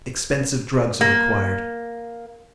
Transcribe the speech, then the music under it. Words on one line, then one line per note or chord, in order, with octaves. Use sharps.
Expensive drugs are required.
A#3